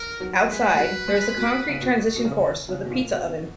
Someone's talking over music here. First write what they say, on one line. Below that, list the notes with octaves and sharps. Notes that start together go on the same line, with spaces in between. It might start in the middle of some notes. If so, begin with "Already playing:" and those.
Outside, there is a concrete transition course with a pizza oven.
Already playing: A#4
F#3
G#3 B4
G#3
F#3
G#3
B2
C#3
B2
B2
C#3
C#3
B2
A#2
B2